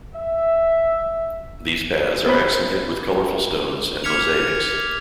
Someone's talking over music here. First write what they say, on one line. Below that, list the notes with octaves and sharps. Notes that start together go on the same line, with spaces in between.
These paths are accented with colorful stones and mosaics.
E5
B3 C5 B5
D6 F6 G#6 B6 C#7 F7